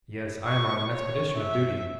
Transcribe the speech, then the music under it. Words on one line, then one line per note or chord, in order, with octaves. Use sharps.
'Yes, I am on an expedition of duty.
C#6
C#5
E5